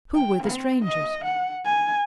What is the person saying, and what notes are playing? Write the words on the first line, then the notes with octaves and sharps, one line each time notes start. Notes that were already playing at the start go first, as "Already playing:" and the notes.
Who were the strangers?
G5
C4
D#5
F#5
G#5